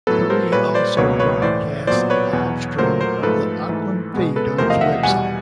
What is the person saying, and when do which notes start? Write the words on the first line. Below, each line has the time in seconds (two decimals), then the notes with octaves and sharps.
Three also broadcasts a livestream of the Auckland feed on its website.
0.07 A2 F#3 B3 A4 B4
0.30 A#4 C5
0.52 A#2 G3 A#3 B4 C#5
0.74 C5 D5
0.97 C#2 B2 F#3 A#3 B4 C#5
1.19 B4 C#5
1.42 A2 E3 A3 C5 D5
1.87 A#2 F#3 B3 C5 D5
2.10 B4 C#5
2.33 E2 B2 F#3
2.78 A#2 F#3 A3 A#4 C5
3.01 A#4 C5
3.23 G#2 F3 A3 A4 B4
3.69 G#2 E3 A3
4.14 B2 G#3 B3
4.36 A4 B4
4.58 E2 C3 F3 A3 A#4 C5
4.70 D#5 F5
4.81 E5 F#5
5.03 E2 B2 G3 F#5 G#5